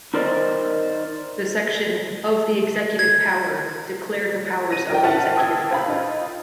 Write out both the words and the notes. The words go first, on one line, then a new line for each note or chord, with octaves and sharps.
The section "Of the Executive Power" declared the powers of the executive power.
D#4 A#4 C5 D5 D#5
G#6
A#6 D#7
A#4 D5 D#5 G5
C5 E5 F#5 A5 F6 A6
G5 A5 D#6 E6 G#6
C5 F5 B5
D#4 F4